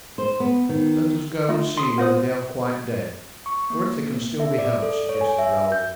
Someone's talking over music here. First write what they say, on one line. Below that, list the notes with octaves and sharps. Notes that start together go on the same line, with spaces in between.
"Let us go and see whether they are quite dead, or if they can still be helped," suggested Raoul.
C5
B3
D#3
A3 F4
C6 D#6
B3 F4 C5 D#6
C#6
A#3
E5
D5
A4
C#5
G#5
E5
G6